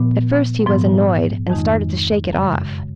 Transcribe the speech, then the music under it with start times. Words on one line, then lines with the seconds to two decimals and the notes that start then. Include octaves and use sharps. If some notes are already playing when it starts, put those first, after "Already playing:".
At first he was annoyed and started to shake it off.
Already playing: A#2 F3 B3
0.66 G#2 F3 B3
1.50 F2 D#3 G#3 D#4
2.33 F#2 C#3 G#3